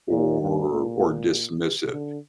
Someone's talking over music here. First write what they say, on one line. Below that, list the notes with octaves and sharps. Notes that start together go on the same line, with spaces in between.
or or dismissive,
A#2
G2
A#2
D3